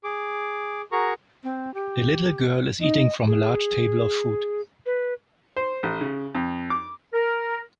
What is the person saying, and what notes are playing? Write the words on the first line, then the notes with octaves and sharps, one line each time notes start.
A little girl is eating from a large table of food.
G#4 D6
F#4 G#4 A#4 A#5 C#6
C4
G4
D#4 D#5
G#4
B4
C5
A1
C#3
F2
D6
A#4